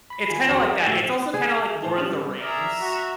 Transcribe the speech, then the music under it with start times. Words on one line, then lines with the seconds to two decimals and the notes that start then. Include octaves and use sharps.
It's kinda like that. It's also kinda, like, Lord of the Rings.
0.10 B5 B6
0.30 D#3 F4 G#5
0.47 F2 F#4 G#4 A#5 B6 C#7
0.71 D5
0.86 A2 A3 F#4 G4 G5 E6
1.34 G#4
1.83 A2 C5 A5
1.98 C#4 D4 G4
2.09 G3
2.40 G#4 A#4 D5 E5 A#5
2.81 F#4